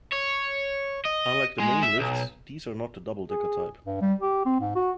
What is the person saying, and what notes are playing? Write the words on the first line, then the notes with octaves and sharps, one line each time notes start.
Unlike the main lifts, these are not the double-decker type.
C#5
D#5
G#3
E5
B1
G#4
G2
G3
G4
C4
G#2
F#4